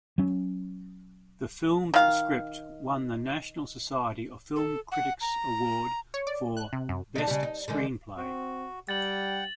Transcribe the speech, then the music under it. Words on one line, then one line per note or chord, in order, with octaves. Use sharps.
The film's script won the National Society of Film Critics award for Best Screenplay.
F#3 C#4
D#3 F5
A4
F#5
A#5
C#5
D5
F#6
C3
F#2
D4 D#4
C#3 G3
D#4
D3 D#3 G#3
C4 F#4
G3 F#5 G5 A6 F#7